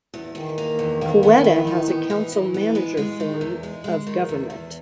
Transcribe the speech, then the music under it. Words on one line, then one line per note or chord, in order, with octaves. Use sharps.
Coweta has a council-manager form of government.
E2
E2 D#3
A#3
E2
A#3
B3
E3
D#4
B3
E3
E3
B3
G#3
G#3
D#3
E2
G#3
G#3
D#3
E2
E2